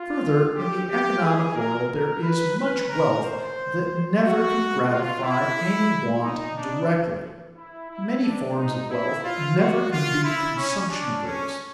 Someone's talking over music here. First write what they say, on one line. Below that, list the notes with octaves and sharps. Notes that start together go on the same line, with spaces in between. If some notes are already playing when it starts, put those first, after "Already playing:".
Further, in the economic world there is much wealth that never can gratify any want directly; many forms of wealth never can be consumption goods.
Already playing: F4
G4
G4
G#4
A#4
A#4
B4
B4
A#4
C5
F#4
F4
E4
D#4
D4
E4
E4
D4
D#4
E4
F4
F#4
F4
E4
C#4
D4
C#4